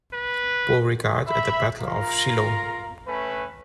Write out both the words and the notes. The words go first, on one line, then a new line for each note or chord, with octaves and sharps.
Beauregard at the Battle of Shiloh.
B4
E5 B5
F4 A#4 F5 A#5
A3 C#4 B4